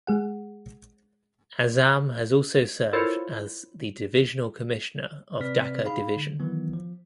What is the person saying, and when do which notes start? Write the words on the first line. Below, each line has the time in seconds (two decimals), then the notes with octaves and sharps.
Azam has also served as the divisional commissioner of Dhaka Division.
0.07 G#3 G#4 F#5
2.93 E4 F4 A4 A#4 C5 C#5
5.40 C3 C4 B4 D5 F6 B6
5.85 D#4 G#4 F5 B5
6.16 D3
6.40 D#3 E3 F#3 B3
6.73 F3